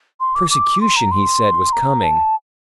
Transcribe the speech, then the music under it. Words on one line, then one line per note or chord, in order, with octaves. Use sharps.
Persecution, he said, was coming.
C6
D6
D6
C6
A#5
C6
A#5
A5